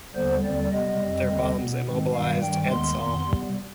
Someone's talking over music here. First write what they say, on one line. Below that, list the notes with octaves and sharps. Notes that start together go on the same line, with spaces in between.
Their bombs immobilised "Edsall".
D#2 D3 G3 B3 C5
D#2 D3 G3 C4 D5
C3 G3 B3 D#5
F2 C3 G3 C4
D#2 D3 G3 C4
B2 B3
G#2 D#3 G#3 C4
G2 D#3 G3 F5
G2 D#3 G3 G5
D#2 D#3 G#3 B3 C6
F2 D#3 B3
C3 G3 B3